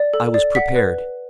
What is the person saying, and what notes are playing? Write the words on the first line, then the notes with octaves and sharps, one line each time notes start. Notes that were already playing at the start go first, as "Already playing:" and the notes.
I was prepared.
Already playing: D5
A4
D5
F#5 B6
B4